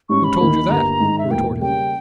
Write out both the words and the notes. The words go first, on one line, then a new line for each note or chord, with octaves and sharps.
"Who told you that?" he retorted.
G#2 G3 C#4 C#6
B5
D#2 D#3 A#3 E4
G1 G2 G3 A#3 A#5
G#2 D#3 G#3
E5
E1 E2 B2 A#3 G5
C#3 G3 A#3 C#4 G5